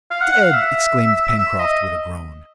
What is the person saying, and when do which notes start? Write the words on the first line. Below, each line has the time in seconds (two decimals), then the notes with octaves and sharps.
"Dead!" exclaimed Pencroft, with a groan.
0.11 F5
0.21 F#5
0.32 F#5
0.43 F5
0.53 E5
1.38 E5
1.59 D#5